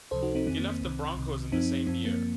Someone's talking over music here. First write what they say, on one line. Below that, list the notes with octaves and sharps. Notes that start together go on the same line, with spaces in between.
He left the Broncos in the same year.
C#2 C3 F3 A4 C5
D#4 F#4
C4 D#4
F2 D#3 C4
A#3
C4
C2 C3 D#3
C2 C3 D#3
F#2 F3 C4 D#4
F#2 F3 C4
A#3